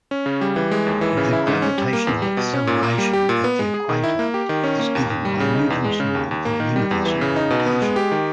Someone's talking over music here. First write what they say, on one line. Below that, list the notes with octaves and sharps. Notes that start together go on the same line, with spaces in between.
The "gravitational acceleration" at the equator is given by Newton's law of universal gravitation.
C#4
C#3
G3
E3
G#3
D#2
E3
C#3
E4
G#2
C#4
G3
A#3
E2
G3
B2
C#4
A#2
A#3
G3
G4
A#2
B3
G#3
G#4
D#3
E4
A#3
G4
D#3
C#4
A#3
D#2
D#2
G3
C#3
D#4
E2
G#3
C#3
D#2
D#2
A#3
D#3
G3
E2
E3
C#3
D#4
B2
B3
G#3
G4
D#3